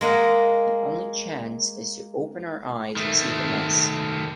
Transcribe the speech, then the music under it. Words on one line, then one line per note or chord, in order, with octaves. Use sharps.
The only chance is to open our eyes and see the mess.
G#3 A#3 D#5 F#5
D#3 A3